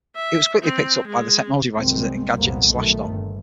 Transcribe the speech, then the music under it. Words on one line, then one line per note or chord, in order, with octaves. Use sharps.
It was quickly picked up by the technology writers at Engadget and Slashdot.
E5
C4
G#3
F#1 C2 F#2 D#3 G#3 C4
C2 F2 A#2 A#3 B3
B1 A#2 D#3 A3
G1